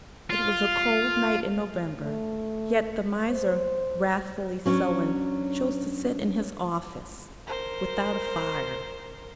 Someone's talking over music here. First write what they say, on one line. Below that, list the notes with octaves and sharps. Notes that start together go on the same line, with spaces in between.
It was a cold night in November, yet the miser, wrathfully sullen, chose to sit in his office without a fire.
F4
A3
C5
F#3 C#4 D4
A#4 C5